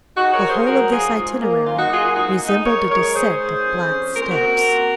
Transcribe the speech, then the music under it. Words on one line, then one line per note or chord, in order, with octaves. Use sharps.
The whole of this itinerary resembled a descent of black steps.
G#2 D#4 F#4
A#4 C#5
C#4
G#4 C5
F#2 F#4 A#4
F#2 F4 G#4
G#2
A#3
F#2 F4
D#4 F#4
A#3 F4 G#4
F4 G#4
G#2 D#4 F#4
G#2
D#4
F#2 A#4 C#5
G#3 A#4 C#5
G#2 G#4 C5
G#2
F2
C#4
A#2 A#4
C5
F#4 A#4
C4
A#2